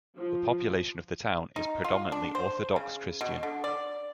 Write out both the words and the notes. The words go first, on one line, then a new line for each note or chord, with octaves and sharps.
The population of the town is predominantly Orthodox Christian.
F3
D#4
F4
D4
C5
C#3
B2
D3
D5